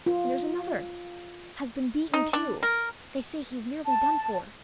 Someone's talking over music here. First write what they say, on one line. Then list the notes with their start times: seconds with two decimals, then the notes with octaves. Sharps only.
And there's another has been beaten too--they say he's nearly done for....
0.06 F4
2.14 D#4
2.33 D4
2.63 A#4
3.84 A5